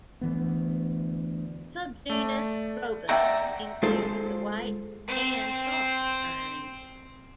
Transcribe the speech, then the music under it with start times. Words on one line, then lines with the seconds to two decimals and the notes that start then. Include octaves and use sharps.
Subgenus "Strobus" includes the white and soft pines.
0.21 D2 E3 B3
2.10 A3 D5
3.09 D5 E5 F#5 G5 A#5
3.83 G#3 F4 A4 C5
5.08 C4 C5